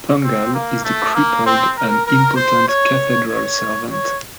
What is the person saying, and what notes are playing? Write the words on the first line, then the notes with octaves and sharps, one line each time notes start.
Pangall is the crippled and impotent cathedral servant.
C4
A#3
A3
A#3
C4
A#4
A#4
C5
C#5
C#5
C#5